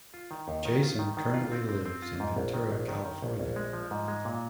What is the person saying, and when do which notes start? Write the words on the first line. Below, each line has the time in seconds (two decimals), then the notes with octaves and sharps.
Jason currently lives in Ventura California.
0.14 F4
0.31 D#3
0.48 D#2
0.65 D#3
0.83 F4
0.99 D#3
1.17 D#3
1.34 F4
1.52 C4
1.69 C4
1.86 C4
2.02 F4
2.20 G#2
2.37 A#1
2.53 D#3
2.71 A#1
2.88 D#3
3.05 D#3
3.22 A#1
3.40 A#1
3.56 G#3
3.73 F3
3.91 G#2
4.08 G#3
4.25 A#2